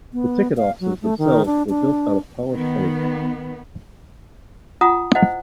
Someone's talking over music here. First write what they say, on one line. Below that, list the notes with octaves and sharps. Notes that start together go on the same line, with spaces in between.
The ticket offices themselves were built out of polished oak.
B3
F5
F#3
A3
D#3
D4
D4
D#3 B3
F4 F#5 A#5 D#6
E4 C5 D#5 F#5